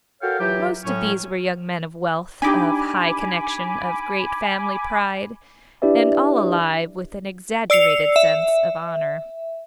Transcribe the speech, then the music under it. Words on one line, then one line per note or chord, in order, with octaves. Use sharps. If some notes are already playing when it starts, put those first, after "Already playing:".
Most of these were young men of wealth, of high connection, of great family pride, and all alive with an exaggerated sense of honor.
F#4 A4 A#4 C#5 F5 G5
E3 F#3 F4 G4
A2 F#3 C#4
D4 D#4 G4 G#5 B5 D6
D4 E4 G4 B4 D5 E5
D5 E6 C7 C#7 F7
E5